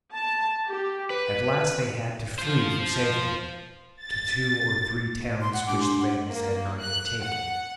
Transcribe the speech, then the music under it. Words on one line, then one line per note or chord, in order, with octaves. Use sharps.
At last they had to flee for safety to two or three towns which the Vandals had not yet taken.
A5
G4
B4
F4 C5
A6
C6
F#5
G#3 D4 G4 D6
C6
F#5
A#3
F#6
F#5